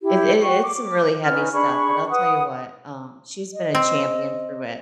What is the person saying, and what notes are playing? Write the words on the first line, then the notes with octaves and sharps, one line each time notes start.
It i it's some really heavy stuff, but I'll tell you what, um, she's been a champion through it.
E4 G4
F#4 G5 C#6
D6
C#4 D#4 B4 F6
D4 G#4 B5 C#6
B4 F#5 D#6
D#5
C4